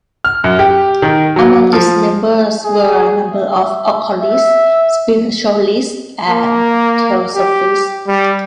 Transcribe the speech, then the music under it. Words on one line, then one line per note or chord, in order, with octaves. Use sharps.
Among its members were a number of occultists, spiritualists, and Theosophists.
F6
F#2
G4
D#3
F#3
F3
G#4
E5
E5
A#3
G4
G3